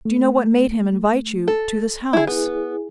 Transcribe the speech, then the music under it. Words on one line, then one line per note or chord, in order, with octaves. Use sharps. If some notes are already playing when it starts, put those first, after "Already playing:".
"Do you know what made him invite you to this house?"
A3
A4
E4 G#4
B3 E4 G#4